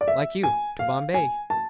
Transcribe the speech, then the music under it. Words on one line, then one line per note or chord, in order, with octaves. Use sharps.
"Like you, to Bombay."
D5
E5
G#5
F5
G#5
A5